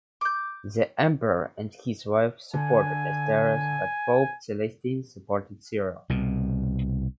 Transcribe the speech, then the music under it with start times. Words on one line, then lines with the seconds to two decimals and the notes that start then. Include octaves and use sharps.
The Emperor and his wife supported Nestorius, but Pope Celestine supported Cyril.
0.21 D6 G6
2.53 D3 G#5
6.10 C2 B2